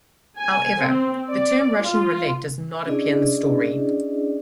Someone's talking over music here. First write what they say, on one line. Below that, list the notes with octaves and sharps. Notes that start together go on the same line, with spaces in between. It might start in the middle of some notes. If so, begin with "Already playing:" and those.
However, the term "Russian roulette" does not appear in the story.
G#5
C4
D5
F4
C#4 D4 E4 G#4 D5 D#5